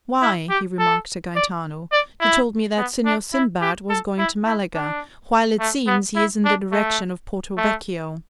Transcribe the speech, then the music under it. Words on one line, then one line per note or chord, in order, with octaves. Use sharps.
"Why," he remarked to Gaetano, "you told me that Signor Sinbad was going to Malaga, while it seems he is in the direction of Porto-Vecchio."
E4
G4
A4
D5
D5
E4
B3
D4
E4
G4
A4
E4
E4
D4
A3
B3
E4
D4
A3
A3